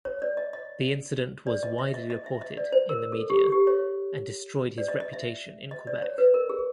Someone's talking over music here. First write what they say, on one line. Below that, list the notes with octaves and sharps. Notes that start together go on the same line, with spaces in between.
The incident was widely reported in the media and destroyed his reputation in Quebec.
C#5
D5
D#5
D#5
D5
D#5
E5
D#5
D#5
E5
D#5
D5
C5
A#4
A4
G4
G#4
G4
C#5
D5
D#5
D#5
E5
D#5
D5
C#5
B4
A#4
G#4